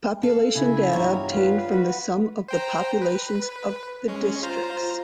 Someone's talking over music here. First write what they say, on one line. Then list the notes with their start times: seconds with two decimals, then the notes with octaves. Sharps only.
Population data obtained from the sum of the populations of the districts.
0.23 A4 F5
0.55 C#3 E4 G#5
0.93 E2 G2 F4 C#5 A#5
1.31 F4 B4
1.68 F#4 B4
2.48 C5 G5 A#5
3.02 B4
4.08 G#3 C#4
4.43 F4 C5 A#5